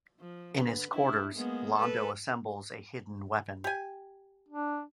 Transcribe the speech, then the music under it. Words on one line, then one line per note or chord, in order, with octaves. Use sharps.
In his quarters, Londo assembles a hidden weapon.
F3
D3 B4
D4 E4
G#3 A#3 B3
A4 B4
G4 G#5
D4